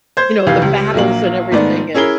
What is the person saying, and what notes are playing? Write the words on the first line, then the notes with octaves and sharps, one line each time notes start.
you know, the battles and everything and
C5 G6 G#6
F1 C3 E3 G4 F5
C#2 G3
A#1 F#3 A#3 F#7
G#2 D#3 A3 B3 D5
C#4 E4 G#4 A#4 G7